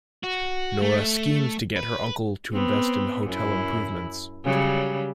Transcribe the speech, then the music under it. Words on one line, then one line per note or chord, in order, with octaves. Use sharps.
Nora schemes to get her uncle to invest in hotel improvements.
F#4
A3
B4
B3 C4
F#2 E4
C#3 F#3 G3